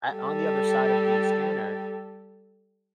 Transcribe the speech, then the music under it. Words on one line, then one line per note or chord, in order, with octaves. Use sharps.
at on the other side of the scanner,
G3 A4